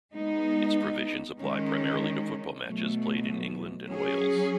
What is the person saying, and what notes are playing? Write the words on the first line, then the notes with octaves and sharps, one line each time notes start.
Its provisions apply primarily to football matches played in England and Wales.
G#3 B3 D#4
D#3 G#3 C#4
B2 F#3 A3
F#3 C#4 G#4